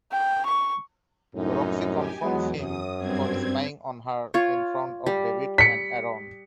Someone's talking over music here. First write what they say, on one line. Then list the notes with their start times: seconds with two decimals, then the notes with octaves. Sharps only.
Roxy confronts him for spying on her in front of David and Aaron.
0.12 G5
0.45 C#6
1.34 C2 F#2 A2 D#4
1.92 G4 G#5
2.22 E2 F#3 G#3 B3
2.57 F#2 D#6
2.97 G2 C4 G#6
4.34 F4 C#5
5.06 G3
5.58 B6 C#7